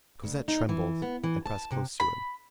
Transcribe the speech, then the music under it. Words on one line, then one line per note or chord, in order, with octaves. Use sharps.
Cosette trembled and pressed close to him.
D2
D#4
E3
B3
E3
A5
C3
B5